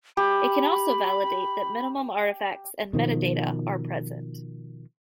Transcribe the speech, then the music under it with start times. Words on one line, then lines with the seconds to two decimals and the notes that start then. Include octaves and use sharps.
It can also validate that minimum artifacts and metadata are present.
0.17 G4 B5
2.93 B2 D#3 F3